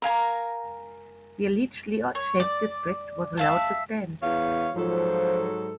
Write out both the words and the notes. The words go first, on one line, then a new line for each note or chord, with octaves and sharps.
The allegedly odd-shaped district was allowed to stand.
A#4 F5 G#5 A#5
C#5
D5
E5 F5 A5
E2 C#5 F5
G#2 F3 F#3 A4 C5